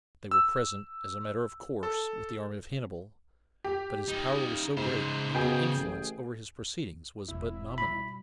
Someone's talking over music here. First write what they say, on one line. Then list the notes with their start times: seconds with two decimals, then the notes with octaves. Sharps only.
They were present, as a matter of course, with the army of Hannibal, but his power was so great that their influence over his proceedings was but nominal.
0.31 E6
1.83 A4
3.64 G4
4.08 D#4 F4
4.77 G#2 C#3 C5
5.34 B2 G#4 G5
5.78 A1
7.28 E1 C4 E4
7.78 B2 G3 B5